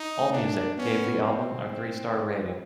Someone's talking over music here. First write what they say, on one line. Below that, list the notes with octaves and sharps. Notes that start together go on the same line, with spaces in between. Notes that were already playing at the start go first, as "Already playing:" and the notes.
AllMusic gave the album a three star rating.
Already playing: D#4
A3
D4
A#3
B3 C#4
C4